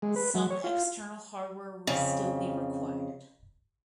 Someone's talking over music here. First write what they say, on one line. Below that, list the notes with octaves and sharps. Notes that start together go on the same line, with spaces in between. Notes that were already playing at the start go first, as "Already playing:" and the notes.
Some external hardware will still be required.
G#3
B4
F#3
C#5
F4
F2 C#3